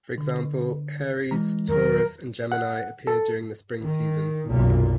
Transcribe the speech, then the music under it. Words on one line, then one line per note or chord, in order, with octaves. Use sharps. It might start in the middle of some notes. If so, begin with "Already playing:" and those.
For example, Aries, Taurus, and Gemini appear during the spring season.
D3
E3 G#3 A#5
E2 D#3 F#3 A#4
F#5
A4
D#3
F#1 B1 A#2